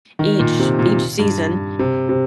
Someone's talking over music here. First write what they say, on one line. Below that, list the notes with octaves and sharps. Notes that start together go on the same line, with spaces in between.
each each season,
D#3
A#2
C3
A#2
G2
C3
C3